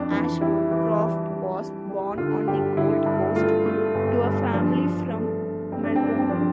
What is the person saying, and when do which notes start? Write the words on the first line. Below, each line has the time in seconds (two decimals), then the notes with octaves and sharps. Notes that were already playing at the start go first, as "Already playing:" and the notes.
Ashcroft was born on the Gold Coast to a family from Melbourne.
Already playing: F2 D4
0.11 E3
0.41 G3 E4
0.71 E3
1.00 G3
1.30 G3
1.58 G3
1.89 G3
2.18 D3 F4
2.48 G2 G4
2.77 D3 E4
3.06 G2
3.36 A3 F4
3.66 A3
3.95 G1
4.24 G2
4.53 F3 D4
4.83 G2
5.12 A3
5.42 G2
5.72 G2 C4
5.84 D4
5.96 G2 C4
6.07 D4
6.19 C4
6.29 F3 D4